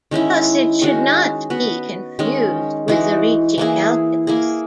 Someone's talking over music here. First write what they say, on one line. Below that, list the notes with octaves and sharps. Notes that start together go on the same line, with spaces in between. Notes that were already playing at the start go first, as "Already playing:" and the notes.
Thus it should not be confused with the Ricci calculus.
D#3 G#3 C#4 E4
D#3 G#3 C#4 F#4
B3 F#4 B4
D#3 G#3 C#4
E3 G#3 D#4 F#4
E3 A#3 E4 G#4
A#3 E4 G#4